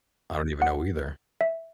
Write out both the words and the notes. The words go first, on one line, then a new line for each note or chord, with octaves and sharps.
I don't even know either.
F#5
E5